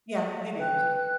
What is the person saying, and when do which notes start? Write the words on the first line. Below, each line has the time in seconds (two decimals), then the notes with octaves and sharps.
Yeah, it is.
0.09 E5
0.59 B4 G5 F#6